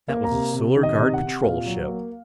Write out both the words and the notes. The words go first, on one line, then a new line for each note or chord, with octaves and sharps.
"That was a Solar Guard patrol ship!"
A#3
A#5
C3
C3
D#3
D#5
C3
F#5
C3
A#2 F5
F#3
A#3